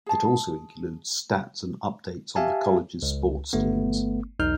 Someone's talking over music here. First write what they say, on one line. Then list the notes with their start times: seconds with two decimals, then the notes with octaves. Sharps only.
It also includes stats and updates on the college's sports teams.
0.06 G#4 A5
2.36 G4 E5 F5 G#5 A5
3.02 C#2
3.53 G1 A3 B3
4.39 B1 E2 D#4 F6 G6